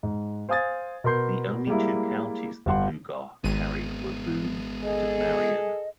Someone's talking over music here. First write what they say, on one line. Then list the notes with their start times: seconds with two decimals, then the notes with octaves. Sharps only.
The only two counties that Lugar carried were Boone and Marion.
0.03 G#2
0.49 C5 F5 G#5 D#6 G#6 A6
1.04 B2 A#4 B4 C6 G6 C7
1.67 G3 G#3 A#3 E4
2.66 G1 G3 G4 F#5 C6
3.44 G#1 G#3 B3 D#7
4.83 G#4 A4 D#5